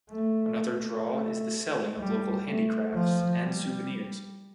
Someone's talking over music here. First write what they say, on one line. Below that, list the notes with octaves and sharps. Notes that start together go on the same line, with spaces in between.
Another draw is the selling of local handicrafts and souvenirs.
A3
A3
G3
A3
F3
G3